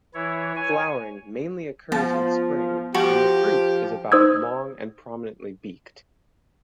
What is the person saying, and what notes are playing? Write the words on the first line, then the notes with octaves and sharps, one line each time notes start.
Flowering mainly occurs in spring and the fruit is about long and prominently beaked.
E3 E4 C#5
C#5 G#5
F3 B3 A5
F3 F#4 G4
D#4 C5 D#6 E6 G#6